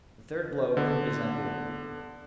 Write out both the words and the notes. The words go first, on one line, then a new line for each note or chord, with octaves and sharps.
The third blow proved his undoing.
D3 B3